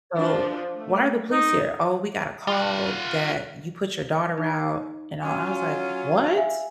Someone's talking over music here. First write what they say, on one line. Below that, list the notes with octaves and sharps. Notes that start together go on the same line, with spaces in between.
So why are the police here?" "Oh, we got a call that you put your daughter out." And, uh, I was like, "What?"
F3 D4
A3
D#4
F4 F#5
D#4
F#3 C#4 F4 G#5
E5 F5 G#5